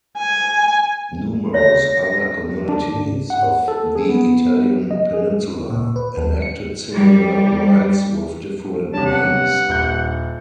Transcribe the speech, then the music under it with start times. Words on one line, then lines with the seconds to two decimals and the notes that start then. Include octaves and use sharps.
Numerous other communities of the Italian peninsula enacted similar rites with different names.
0.18 G#5
1.54 C#5 E5 A#6
2.69 D4
2.94 G#2
3.30 F#5
3.68 A4
3.95 G#4
4.09 B3
4.91 D#5
5.13 G#4
5.70 A#2
5.96 B4
6.17 D#2
6.42 C#7
6.94 G3
8.93 G2 C3 C#4 A5
9.05 F#5
9.69 D#1 G6